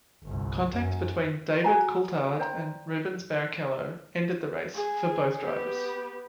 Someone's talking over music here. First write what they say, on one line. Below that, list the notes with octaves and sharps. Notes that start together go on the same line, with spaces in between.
Contact between David Coulthard and Rubens Barrichello ended the race for both drivers.
G1 C2
F#2
F#4 G#5 A#5
C5 D5 G5 A#5
G#4
B3 G4